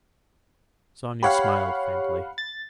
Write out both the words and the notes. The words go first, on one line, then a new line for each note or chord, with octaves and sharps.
Sonia smiled faintly.
G4 C#5 F5 F#5 B5
A6